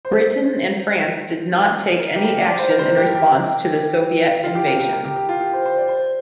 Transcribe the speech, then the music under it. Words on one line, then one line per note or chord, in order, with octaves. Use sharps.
Britain and France did not take any action in response to the Soviet invasion.
C5
A#4
G4
A#4
D5
D5
C5
A#4
C5
G4
A#4
G4
F4
G4
A#4
G4
A#4
G4
G4
F4
G4
C5
C5
D5
C5